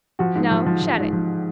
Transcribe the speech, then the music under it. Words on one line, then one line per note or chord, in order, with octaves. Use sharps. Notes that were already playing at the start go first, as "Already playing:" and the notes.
No, shut it.
F3 F#4
G#2
F3
F3
F3
G#2
F3